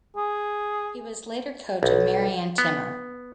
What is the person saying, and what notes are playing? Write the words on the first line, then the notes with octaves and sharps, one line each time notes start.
He was later coach of Marianne Timmer.
G#4
B1
B3